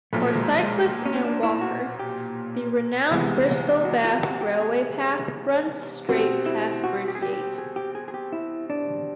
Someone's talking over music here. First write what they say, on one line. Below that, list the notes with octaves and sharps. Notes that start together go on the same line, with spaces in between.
For cyclists and walkers, the renowned Bristol-Bath railway path runs straight past Bridgeyate.
B1 A#2 F3 A3
G#3
G3
G#3
C#4
D4
E4
F#4
G4
C2 C3 E3 G#3 B3
F#4
F4
F#4
G4
G#4
B2 G3 C4 F#4
E4
F#4
G4
G#4
G4
G4
G#4
G4
G#4
G#4
G4
E4
D4